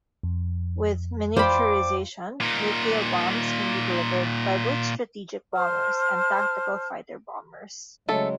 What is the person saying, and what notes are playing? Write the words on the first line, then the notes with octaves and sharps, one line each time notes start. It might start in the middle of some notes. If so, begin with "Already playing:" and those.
With miniaturization, nuclear bombs can be delivered by both strategic bombers and tactical fighter-bombers.
F2
F4 C5 D5 G5 B5 D6
A#2 D#4
C5 A5 F6
C#3 F#3 G#3 A3 A4